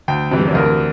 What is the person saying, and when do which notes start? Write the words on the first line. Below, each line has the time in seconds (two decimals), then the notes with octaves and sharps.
you know,
0.08 D2 G5
0.31 C3 E3
0.55 D2 A#4